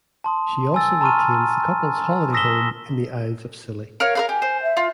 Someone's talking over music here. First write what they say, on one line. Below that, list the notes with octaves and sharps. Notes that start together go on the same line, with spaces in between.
She also retains the couple's holiday home in the Isles of Scilly.
A5 C6 D#6
G#5 A5 E6 A6
A5 A#5 C6 C#6 F6 D#7
D#6 E6 A#6 B6 E7 G7
A#4 C#5 F5
A#4 B4 F5
G4 G#5
C5
E5
F4